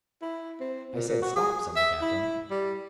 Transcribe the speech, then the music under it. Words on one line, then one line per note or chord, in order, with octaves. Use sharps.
"I said, 'Stop,'" said the Captain.
E4
C4
A#2
A#2
F#4
G#4
E5
E4
G3